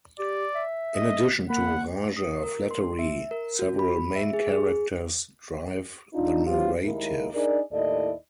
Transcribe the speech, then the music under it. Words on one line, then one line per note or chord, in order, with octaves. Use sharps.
In addition to Raja Flattery, several main characters drive the narrative.
G4 D5
E5
D#5
A#3 F#5 B5
D#6
A#4
C6
E5
A#4
F#4
B5
E5
G#4
G#4
D4 D#4 F4
E3 F#3 C4 F4 G4
D#2 G#3 A#3 E4 A#4
D4 D#4 G#4 A#4 D5
D#2 A2 E4 A4 D5 D#5